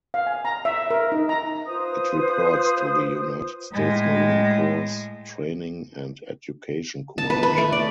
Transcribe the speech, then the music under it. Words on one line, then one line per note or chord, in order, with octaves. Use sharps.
It reports to the United States Marine Corps Training And Education Command.
F5
G#5
A#5
E5
A#4
D#4
A#5
F4 B4 C5 D#6
A2 G#3
A5
B4
B4
A3
D5